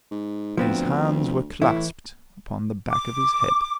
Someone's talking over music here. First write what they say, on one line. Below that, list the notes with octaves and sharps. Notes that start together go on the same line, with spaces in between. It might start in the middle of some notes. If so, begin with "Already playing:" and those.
His hands were clasped upon the back of his head.
G#2
D2 F3 B3 C4
A2 E3 E4
D6